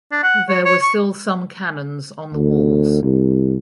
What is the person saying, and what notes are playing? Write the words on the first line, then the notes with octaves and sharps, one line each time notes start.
There were still some cannons on the walls.
D4
F#5
C#5
C#5
C#6
D2
C2